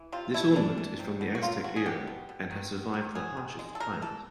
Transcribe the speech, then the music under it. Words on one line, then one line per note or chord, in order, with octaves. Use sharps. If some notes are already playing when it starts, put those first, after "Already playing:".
This ornament is from the Aztec era and has survived the harshest climate.
Already playing: E3
C3 F4
A3 E4
E3 D4
E3
C3
B2
F#4
F#3 F4
B2 F#4
G#4
B2 G4
B2
B2
D#3
B3
D#3
B3 G#4
D#3
G#3
A4
A3 A#4
E3 A4